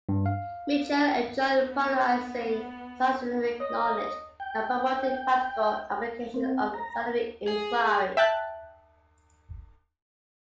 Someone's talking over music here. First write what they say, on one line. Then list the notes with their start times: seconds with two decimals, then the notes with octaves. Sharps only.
Mitchill enjoyed popularizing scientific knowledge and promoting practical applications of scientific inquiry.
0.09 G2
0.26 F5
1.70 B3
3.60 C#5 D#5
4.40 G5
6.34 C4
6.74 A#5
7.48 G#4
8.17 E5 G5 A5 F#6